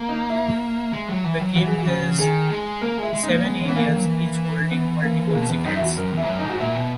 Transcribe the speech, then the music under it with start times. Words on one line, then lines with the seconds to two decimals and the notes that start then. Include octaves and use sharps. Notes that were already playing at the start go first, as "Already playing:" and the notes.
The game has seven areas, each holding multiple secrets.
Already playing: A#3
0.09 D#4
0.30 E4
0.93 G#3
1.09 F#3
1.24 E3
1.40 F#3
1.56 E3 F#4
1.67 G#4
1.79 F#4
1.87 C#3
2.18 D#3 G#4
2.50 G#3
2.81 A#3 A#4
2.98 G#3 E4
3.13 G#3
3.23 D#4
3.28 A#3
3.44 G#3 B3
3.62 C#4
3.65 E3 B3
3.76 A#3
3.87 E3
3.95 F#3
4.04 E3
4.71 B3
5.02 A#3
5.27 G#3
5.33 B2 A#3
5.49 E2 B3
5.65 F#2 D#4
5.76 E4
5.81 E2 F#4
5.97 F#2 A#4
6.13 E2 E4
6.23 G#2
6.29 F#2
6.39 D#4
6.44 G#2
6.49 F#4
6.60 A#2 E4
6.75 B2